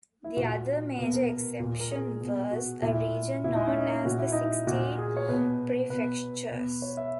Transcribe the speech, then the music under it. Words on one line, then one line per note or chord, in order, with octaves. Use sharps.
The other major exception was a region known as the Sixteen Prefectures.
E4
A#2 F#4
B2 B4
A#4
A#4
A#2
A#4
G#4
B2
F#4
A#2 E4
A#2 E4
D#4
C#4
D#4
A#2 F#4
E4
D#4
E4
A#2 F#4
G#4
C#5
B2 B4
B2 B4
B2
C#5
E5